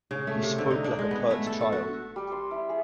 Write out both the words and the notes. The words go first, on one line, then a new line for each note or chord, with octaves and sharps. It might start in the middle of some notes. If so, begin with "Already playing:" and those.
He spoke like a pert child.
C#3
A3
C3
D3
D#4
D4
G#3
B3
A3
A4
A4
F#4
G3
C6
E4
G#4